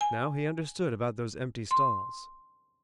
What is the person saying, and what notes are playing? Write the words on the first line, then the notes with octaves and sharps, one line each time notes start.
Now he understood about those empty stalls.
G#5
C6